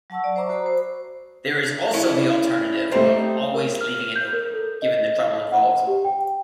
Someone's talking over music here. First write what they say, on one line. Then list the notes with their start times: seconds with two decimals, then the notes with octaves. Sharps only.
There is also the alternative of always leaving it open, given the trouble involved.
0.10 F#3 F#5 A5 C#6 E6
0.24 D5
0.36 C5 E5 A#5 C#6 D6
0.49 F#4 C5 B5 D#6
0.66 C5
1.93 C#4 E4 D5
2.91 G3 A3 C4 D#4 C5
3.54 A#4
3.81 F6
4.16 G6
4.33 A#4
4.53 A4
4.82 D#5
5.52 F#5
5.87 G4
6.05 G5